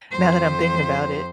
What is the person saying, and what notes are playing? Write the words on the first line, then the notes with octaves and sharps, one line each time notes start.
Now that I'm thinking about it.
F2 C5